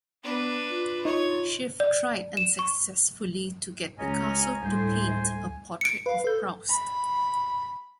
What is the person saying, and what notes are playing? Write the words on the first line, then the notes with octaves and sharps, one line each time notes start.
Schiff tried unsuccessfully to get Picasso to paint a portrait of Proust.
B3 D4 B4
F4
D#4 F4 C#5
D5
E7
C#6
C#2 C#4 D#5 G#5 A#5
D2 A2 G3 C5
C#7 D7
B4 F5
A4 B4 G6
B5